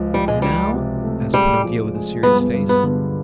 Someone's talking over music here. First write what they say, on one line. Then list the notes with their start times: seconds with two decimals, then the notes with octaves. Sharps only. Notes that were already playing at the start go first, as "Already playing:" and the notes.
"And now?" asked Pinocchio with a serious face.
Already playing: C#2 F3
0.14 F3 G3
0.28 G#3
0.42 C#2 G3
0.74 C3
1.04 A3
1.34 G3 G#3
1.64 F3
1.94 G#3
2.23 G2 B3
2.54 G2
2.69 B3
2.84 D3